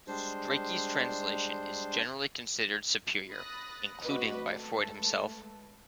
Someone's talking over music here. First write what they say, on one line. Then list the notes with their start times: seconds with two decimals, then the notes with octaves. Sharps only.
Strachey's translation is generally considered superior, including by Freud himself.
0.08 G3 G#3 D4 C5
3.32 B5 D#6 F#6 A6 A#6
4.02 A3 C4 D4 F#4 B4 D#5
4.47 G#3 A3 A4 B4